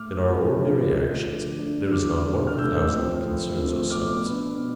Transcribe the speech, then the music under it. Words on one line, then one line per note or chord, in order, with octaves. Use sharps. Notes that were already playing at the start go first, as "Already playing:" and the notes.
In our ordinary actions there is not one of a thousand that concerns ourselves.
Already playing: A2 D6 F6
F3 A3
A2
F3 A3
D3
A3 D4
D3 D6 F6
A3 D4
F6
A2 E6 G6
F3 A3 C4
A2
F3 A3 C4
B2 D6 F6
B3 D4
B2